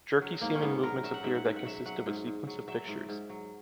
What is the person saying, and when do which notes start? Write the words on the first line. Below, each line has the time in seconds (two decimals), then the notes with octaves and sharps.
Jerky seeming movements appear that consist of a sequence of pictures.
0.21 F#3
0.41 G#2 A#3
0.54 C#4
0.62 G#2 B3
0.83 F#3 A#4
1.03 F#3 E5
1.14 F#5
1.24 G#2 E5
1.35 F#5
1.45 G#2 E5
1.56 F#5
1.65 F#3 E5
1.86 F#3 F#5
2.06 G#2
2.27 G#2
2.47 F#3
2.68 F#3 E5
2.88 G#2
3.09 G#2
3.29 F#3